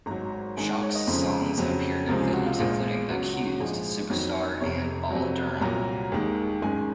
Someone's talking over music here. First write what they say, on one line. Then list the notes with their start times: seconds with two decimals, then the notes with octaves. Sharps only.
Schock's songs have appeared in films including "The Accused", "Superstar", and "Bull Durham".
0.06 G#1 G#2 F#3 A#5
0.57 G#1 G#2 D#3 G#3 G#5
0.70 F#5
0.82 C#5
0.95 D#5
1.07 F1 F2 C#3 F3 G#3 C5
1.57 F2 C#3 F#3
2.08 C#2 C3 F3 G#3 A#4
2.20 G#4
2.33 F#4
2.46 F4
2.58 A#1 A#2 F3 G#3
3.09 C#2 C#3 F#3 F#4
3.22 F#4
3.34 F#4
3.47 F#4
3.60 A#1 G#2 F3 G#3 G#4
4.10 F2 D#3 F#3 C#5
4.60 F1 F2 C3 C#5
5.10 F2 C3 F#3
5.61 C2 A#2 F#3 A#5
6.12 D#2 D#3 G#3
6.62 G#1 F#2 D#3 G#3 G#5